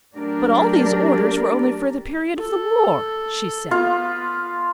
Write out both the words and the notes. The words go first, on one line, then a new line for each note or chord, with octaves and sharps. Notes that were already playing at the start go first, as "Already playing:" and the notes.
"But all these orders were only for the period of the war," she said.
F#3 A3 D4 G4 A#4 D5
A4
B3 F4